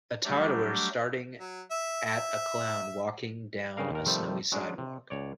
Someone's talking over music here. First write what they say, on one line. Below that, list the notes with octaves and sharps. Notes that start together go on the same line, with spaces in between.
A toddler starting at a clown walking down a snowy sidewalk.
F#3 G3 A3 D4 G4
F#3
E5
E5
G2 C#3 A#4 F5 A#5
D#2 A#4
C3 D#3 F3 G3 A3
F#3 G#3 C#4 D4
C3
C#2 C#5 D5